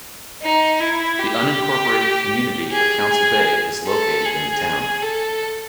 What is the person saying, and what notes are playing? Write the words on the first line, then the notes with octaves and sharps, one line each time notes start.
The unincorporated community of Council Bay is located in the town.
D#4
E4
G4
G#4
G#4
A4
G#4
A4